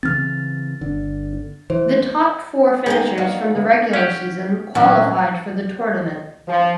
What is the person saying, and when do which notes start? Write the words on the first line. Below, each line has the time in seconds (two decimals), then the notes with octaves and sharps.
The top four finishers from the regular season qualified for the tournament.
0.03 C#3 E3 C4 F6 A6
0.81 G1 D3
1.70 E3 C5
2.86 G#3 B3 D#4 G#4 B4 G5
3.18 A#3 D4 F#4 C#6
3.55 D3 B3 E4
3.93 C#4 G4 F5 F#5 F#6
4.75 A#2 E3 F#3 C#4 D4
6.48 F3